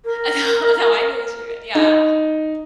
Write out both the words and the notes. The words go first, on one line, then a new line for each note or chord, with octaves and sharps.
Uh, no, no, I knew what you meant Yeah,
A#4
D#4